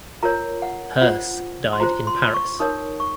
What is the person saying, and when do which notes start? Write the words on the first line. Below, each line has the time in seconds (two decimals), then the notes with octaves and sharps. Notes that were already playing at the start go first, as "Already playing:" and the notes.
Herse died in Paris.
0.23 F4 A#4 C#5 A#5
0.62 F#5
1.01 F4 C5 F#5
1.73 C6
1.80 F4 C5 A#5
2.07 C6
2.34 C#6
2.59 D#4 A#4 C#5 D#6
3.00 C#6